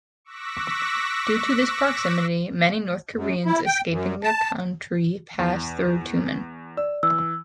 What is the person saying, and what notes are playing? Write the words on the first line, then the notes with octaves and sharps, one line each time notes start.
Due to this proximity, many North Koreans escaping their country pass through Tumen.
C#6 D6 E6 F#6 A#6 B6
F#2
E4
G5
F#2
A5
E2
D5 E6
E3 E6